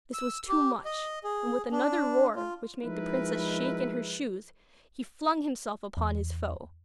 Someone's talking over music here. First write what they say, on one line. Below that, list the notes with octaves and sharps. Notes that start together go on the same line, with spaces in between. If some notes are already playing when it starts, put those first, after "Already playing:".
This was too much, and with another roar which made the princess shake in her shoes, he flung himself upon his foe.
E6
G4
D#5
G#4
D4
F4
F3 G#3 D#4 E4 A#4 B4
E2